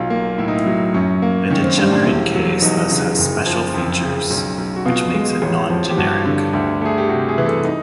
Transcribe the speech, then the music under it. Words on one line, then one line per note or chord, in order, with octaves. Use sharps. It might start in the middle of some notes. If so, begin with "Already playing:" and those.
A degenerate case thus has special features, which makes it non-generic.
Already playing: B1 F4
A#3
A2 E4
D#4
E4
F#3
F#2 C#4
A#3
D#3 C#4
C4
G3 D4
D4
E1 E4
F#3
E2 D#4
C#3
F#1
F3
F2
C#3
B1
B1
F#4
B2 F4
G#3
A1
F3
G4
G2 F#4
D3
D2 G4
A3 G#4
G4
C3 F#4
G#4
E3
A4
D#4